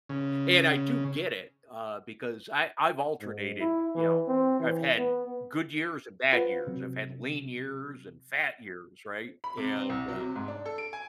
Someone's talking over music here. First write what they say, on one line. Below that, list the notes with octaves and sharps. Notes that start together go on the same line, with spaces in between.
and I do get it, uh, because I I've alternated, you know, I've had good years and bad years. I've had lean years and fat years, right, and, uh,
C#3
G#2
E4
E3
C4
E3
B3
F4 B4 C5 F#5
C3 F#3
B5
C3
C4
C2
F#3
C3
G#2
D4
A4
D7
G#5